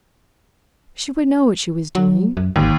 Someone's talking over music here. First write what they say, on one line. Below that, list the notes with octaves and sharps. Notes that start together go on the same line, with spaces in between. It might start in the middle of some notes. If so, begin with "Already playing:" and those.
She would know what she was doing.
F#3
F#2
G#1 D#2